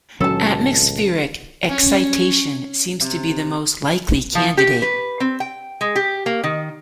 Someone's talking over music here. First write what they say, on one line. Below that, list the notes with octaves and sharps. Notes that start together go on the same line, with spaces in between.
Atmospheric excitation seems to be the most likely candidate.
C#2 A#2 D3 D#3 F#3 C#4 A4 A5
C#4
C3
F3
G4
B4
C4
G5
G#3
G4
A#3
D#3